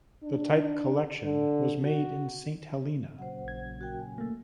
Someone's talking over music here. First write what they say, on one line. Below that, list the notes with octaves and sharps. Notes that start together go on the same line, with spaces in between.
The type collection was made in Saint Helena.
D4
D3
F#4
A#2 C#3 F#3 C5 F#5
A#1 G#6
F#4 A#4 G5
G#5
A3 A#3